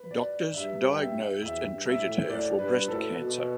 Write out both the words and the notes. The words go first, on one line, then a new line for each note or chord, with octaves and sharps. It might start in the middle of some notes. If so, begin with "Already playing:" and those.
Doctors diagnosed and treated her for breast cancer.
Already playing: B4
D5
G2 E5
G5
E5
E2 E5
G2
E5
A2
A2 D5
G2 B4
A2 A4
B2